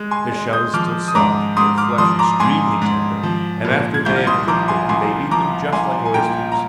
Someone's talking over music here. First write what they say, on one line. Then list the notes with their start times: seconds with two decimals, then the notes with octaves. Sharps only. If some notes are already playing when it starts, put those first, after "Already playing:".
Their shell is still soft, their flesh extremely tender, and after they have cooked them they eat them just like oysters.
Already playing: G#3
0.11 G#5 C6
0.32 G#3
0.53 D#6 G6
0.74 F3 D6 F6
1.08 D#6
1.15 G#2 A#5 D6
1.57 G#2 C6 D#6
1.78 D6 F6
1.98 F3 C6 D#6
2.19 A#5 D6
2.40 G#2 G#5 C6
2.81 G#2
3.23 F3
3.65 A#2
3.94 G#6
4.05 C2 G6
4.16 F6
4.27 C6 D#6
4.48 F3 A#5 D6
4.68 G#5 C6
4.89 C2 G#5 C6
5.31 F3 A#5 D6
5.73 C2 G#5 C6
6.05 G#5
6.14 A#2 G5 A#5
6.52 A#5